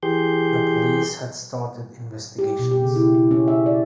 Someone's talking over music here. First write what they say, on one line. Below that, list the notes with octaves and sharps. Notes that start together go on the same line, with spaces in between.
The police had started investigations.
E3 G4 G#4 C6 G6
G4
B2
G4
C#3
E4
E4
C#4
E5
D5